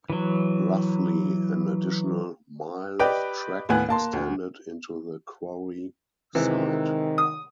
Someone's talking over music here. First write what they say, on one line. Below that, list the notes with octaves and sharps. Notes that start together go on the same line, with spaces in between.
Roughly an additional mile of track extended into the quarry site.
E3 F#3
G4 B4 D5 D#5 G5
D#2 A2 B3 G#5 F#6
A#3 A5 C6
D2
C3 D#3 E3 G#3
D#6